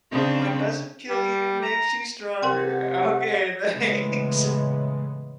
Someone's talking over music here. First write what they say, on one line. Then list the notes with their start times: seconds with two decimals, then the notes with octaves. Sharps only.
What doesn't kill you makes you stronger. Okay, thanks.
0.11 C#3 C4 D4
1.09 G3
1.62 A#5
2.43 C3 A#4 F#5 G5 C6
3.72 A2 C#3 E3 G#3 B3